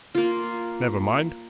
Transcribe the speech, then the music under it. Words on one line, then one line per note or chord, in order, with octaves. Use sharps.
Never mind.
A#3 F4